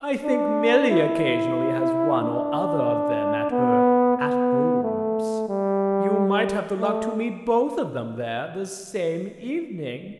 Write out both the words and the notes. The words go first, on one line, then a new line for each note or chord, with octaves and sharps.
I think Milly occasionally has one or other of them at her at-homes; you might have the luck to meet both of them there the same evening.
D4
E4
D4
B3
B3
A3
G3
A3